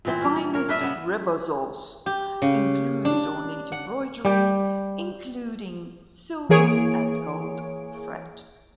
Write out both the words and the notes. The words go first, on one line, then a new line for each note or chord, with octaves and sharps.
The finest rebozos included ornate embroidery including silver and gold thread.
A#2 E3 C4
G3 C#4
G3
A#4 C#5
D4 B4 D#5 E5
C#3 B3
G4
C#3
D4
F#5
G3 G4 G5
E3 A#3 G#4 C#5 D7